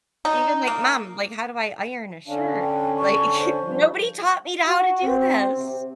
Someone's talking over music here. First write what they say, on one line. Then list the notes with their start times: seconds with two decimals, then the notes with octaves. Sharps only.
even like, "Mom, like, how do I iron a shirt?" Like, nobody taught me to how to do this.
0.25 D#4
0.67 A#3
2.28 D3 C#4 D4 F5
2.60 G5
2.97 C#6
3.39 C5
3.61 G2 F3
4.67 F#4
5.03 C4
5.58 C3